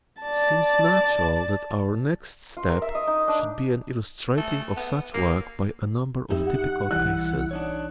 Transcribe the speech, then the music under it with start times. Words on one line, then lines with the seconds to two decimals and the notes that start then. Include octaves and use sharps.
It seems natural that our next step should be an illustrating of such work by a number of typical cases.
0.22 D5 A5
2.57 F4
2.69 A#4
2.82 E5
2.95 D#5
3.07 D#4
3.28 D4
4.37 A3
4.77 B3
5.14 A#3
6.30 F2 D#4 G4 E5
6.47 F#5
6.91 B1 E3 G3 E4 F#6
7.51 D4 D#4 C#5